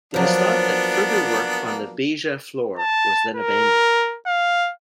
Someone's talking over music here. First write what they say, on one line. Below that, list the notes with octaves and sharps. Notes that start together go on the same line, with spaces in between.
It is thought that further work on the "Beija Flor" was then abandoned.
F3 F#3 A#3 B3 D4
A5
A#4
F5